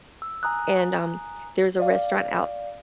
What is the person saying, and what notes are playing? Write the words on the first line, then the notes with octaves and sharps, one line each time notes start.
and, um, there's a restaurant out
E6
G#5 A#5 D#6 F#6
D5 F5